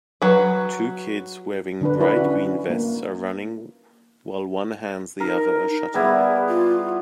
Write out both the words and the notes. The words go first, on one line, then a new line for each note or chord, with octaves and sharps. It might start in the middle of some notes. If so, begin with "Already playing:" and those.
Two kids wearing bright green vests are running while one hands the other a shuttle.
F#3 B4
D3 D4 B4
D4 E4 B4
C#4 F#4
A#3
D#4 A#4
G3 B3 E4 G#4
F4